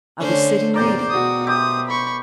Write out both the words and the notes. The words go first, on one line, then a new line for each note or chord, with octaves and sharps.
I was sitting reading.
D3 A3 C#4 C5
E2 A#2 A#4 C5 D5 G5
B2 F#4 D#6
G4 C5 E5 D#6
B5 C#6